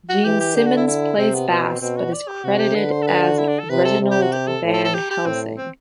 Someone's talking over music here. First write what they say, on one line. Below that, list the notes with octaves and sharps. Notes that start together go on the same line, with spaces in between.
Gene Simmons plays bass but is credited as Reginald Van Helsing.
F#4
E3 G4
G4
D3 G4
F#4
E4
E4
C3 C4
B3
B2 C4
C4
B2 C4
F#4
D5
G4
C3 F#4
G4
D3 B4
C5
A4
B4
F#4
E4
D4
A4
C3 B4
A4
C3
G4
F#4
G4
A4
A2
A4
A4
G4
G4
A2 C4
C4